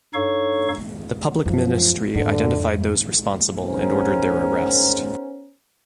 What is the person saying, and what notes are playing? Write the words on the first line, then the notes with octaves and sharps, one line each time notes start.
The Public Ministry identified those responsible and ordered their arrest.
G2 D#4 A4 C#5 F5 C#6
F#2 F3
F2 G#2 D3
B3 C#4 D#4 G#4 A#4 C5